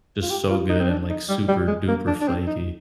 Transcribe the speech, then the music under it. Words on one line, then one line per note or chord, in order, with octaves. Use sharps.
just so good and, like, super-duper flaky.
F4
G4
F4
D#4
C4
D4
D#4
G3
G3
G#3
A#3
D4
D4
C4
D#4